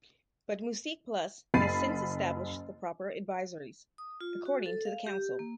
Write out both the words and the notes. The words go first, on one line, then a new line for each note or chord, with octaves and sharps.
But MusiquePlus has since established the proper advisories, according to the council.
F#1 B5 A6 C7 D#7
D#6
F4
F#4
A4
F5
G4
A#3